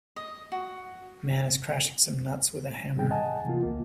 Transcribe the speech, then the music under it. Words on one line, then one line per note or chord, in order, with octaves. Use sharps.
Man is crashing some nuts with a hammer.
D#5
F#4
G#2 C3 D#3 G3 G#4 G5
D#5 F#5 G#5 A5
C3 E3 A#3 F4
C#2 A#3